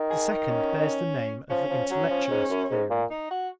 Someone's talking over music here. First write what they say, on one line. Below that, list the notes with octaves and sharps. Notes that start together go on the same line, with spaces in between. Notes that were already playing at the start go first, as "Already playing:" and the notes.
The second bears the name of the intellectualist theory.
Already playing: D#3
G#4
D#4
C#4
F3 C#4
F3
F#3
F3
G#2
F#2
G#2
A#2
D#4
F#4